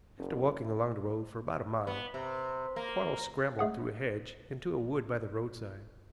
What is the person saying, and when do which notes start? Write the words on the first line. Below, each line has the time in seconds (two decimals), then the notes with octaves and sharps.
After walking along the road for about a mile Quarles scrambled through a hedge into a wood by the roadside.
0.18 F#1
1.87 B3
2.14 C3
2.76 A#3
3.59 G#3 A3 G#4 F#5